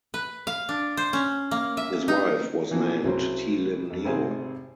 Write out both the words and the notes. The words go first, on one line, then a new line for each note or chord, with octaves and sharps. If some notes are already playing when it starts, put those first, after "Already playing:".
His wife was named Tee Lim Nio.
B4
F5
D4
C5
C#4
A#3
E5
D#4
B2 E3 F3 A#3 B3
C2 C#3 F#3 C4
F2
G#1 C3 C4 G#4 G#5